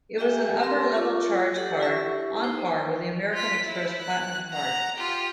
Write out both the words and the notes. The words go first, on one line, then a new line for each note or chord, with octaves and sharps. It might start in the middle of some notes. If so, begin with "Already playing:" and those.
It was an upper-level charge card on par with the American Express Platinum Card.
G4 D#5 E5 G5 G#5
C4 G4 A#4 D#5 C6
F4 C#6 D6
G4 A4 F#5
E4 G4 E5 C#6
D#4 C5 G5
F4 B6
E4
F#6
F#5 A#5
F4 G4